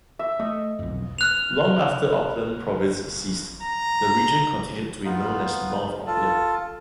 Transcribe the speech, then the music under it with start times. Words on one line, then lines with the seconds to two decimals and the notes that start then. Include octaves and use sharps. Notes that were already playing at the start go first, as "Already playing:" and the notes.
Long after Auckland Province ceased, the region continued to be known as North Auckland.
0.19 E5
0.39 A3 D#5
0.79 B1 F2
1.19 F6 F#6 F7
3.62 A#5
5.05 B3 D#4 F4
6.07 F4 A4 A5